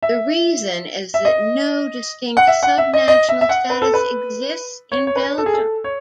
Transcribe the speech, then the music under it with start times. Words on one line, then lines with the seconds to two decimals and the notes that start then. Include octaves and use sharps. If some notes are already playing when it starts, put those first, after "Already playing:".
The reason is that no distinct sub-national status exists in Belgium.
0.02 E5
1.14 E5
1.25 D#5
2.37 F#5
2.47 E5
2.63 F#5
2.78 E5
2.93 D#5
3.08 D#5
3.29 E5
3.41 E5
3.49 F#5
3.70 B4
3.82 A4
3.93 B4
4.92 C#5
5.07 C#5
5.16 B4
5.22 C#5
5.38 A4
5.46 G#4
5.54 A4
5.84 C#5